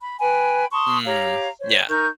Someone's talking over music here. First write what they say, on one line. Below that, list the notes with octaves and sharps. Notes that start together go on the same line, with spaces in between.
Mm, yeah.
B5
B4 G5 G#5 B5
A5 C6 C#6 D#6
G4 C#5 F5 A#5
C5 C#5
D#4 A#4 C#6 G6